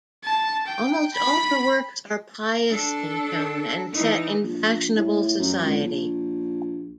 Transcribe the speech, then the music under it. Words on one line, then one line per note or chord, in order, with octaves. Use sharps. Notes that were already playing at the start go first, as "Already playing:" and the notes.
Almost all her works are pious in tone and set in fashionable society.
A5
G5
B5
D4 A4
E3 D#4
A#1
A2
F#2
C#2
A#1